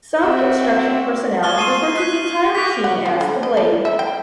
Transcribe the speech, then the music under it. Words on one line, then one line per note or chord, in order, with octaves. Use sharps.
Some construction personnel refer to the entire machine as "the blade".
C4 F#4 E5
G#5 A5 C#6 F6 F#6 G7
F4 G#4 C7 D#7 E7
F#6 B6 D#7
F#4 G4 B6
F#5
C4
D3
D#5
A4
E5
G5